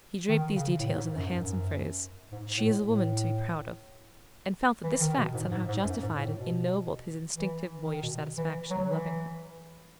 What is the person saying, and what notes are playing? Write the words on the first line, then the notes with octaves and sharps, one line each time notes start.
He draped these details in the handsome phrase "She's a woman to be proud of", and felt that this fact somehow justified and ennobled his instinctive boyish satisfaction in loving her.
D#3
C#3
A2
G#2
F#2
G#2
F#2
G#2
A2
A2
E3
D#3
B2
G#2
G#2
G#2
F#2
G#2
A2
B2
E3
D#3
B2
E3
F#3
E3